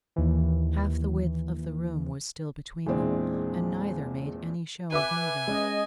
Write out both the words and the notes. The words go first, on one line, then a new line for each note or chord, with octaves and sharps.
Half the width of the room was still between them, and neither made any show of moving.
D#2 E3
E2 A#2 E3 G#3 C4 D4
B4 E5 G#5 D6
G#3 C#4 D#5